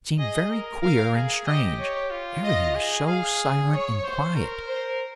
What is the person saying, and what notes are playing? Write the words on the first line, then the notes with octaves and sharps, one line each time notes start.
It seemed very queer and strange, everything was so silent and quiet.
G#4 D#5
A#4
A#4 F5
G#4
G4 D#5
C#5
F4
D#5
G#4
G#4 F5
C#5
C5
A#4
C5